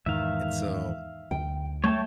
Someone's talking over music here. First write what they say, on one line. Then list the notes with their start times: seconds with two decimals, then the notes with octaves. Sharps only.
And so
0.06 E2 G#2 D#3 E5 F5
1.31 D2 G5
1.84 A3 C#5 G5 A5